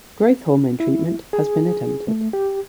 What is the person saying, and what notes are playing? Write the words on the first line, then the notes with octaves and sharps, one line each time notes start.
Growth hormone treatment has been attempted.
E4
G#4
A3
G4